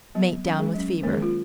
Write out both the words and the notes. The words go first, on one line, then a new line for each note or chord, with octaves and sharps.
Mate down with fever.
F#3 B3
F#3 C#4
G#3 G#4
F#3 C#4
D#3 G#3 A#3 C#4 A#4
G#3 G#4
F4